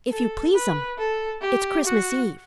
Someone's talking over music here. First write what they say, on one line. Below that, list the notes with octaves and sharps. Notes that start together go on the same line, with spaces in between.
"If you please'm, it's Christmas Eve."
A4
B4
A4
G4
F#4